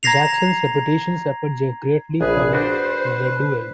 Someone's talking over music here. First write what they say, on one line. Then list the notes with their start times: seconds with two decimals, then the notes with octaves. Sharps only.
Jackson's reputation suffered greatly from the duel.
0.03 A#5 G#6 A#6 C7 F7
2.21 A#1 G#4 B4
2.53 D4 F#4 B4 C5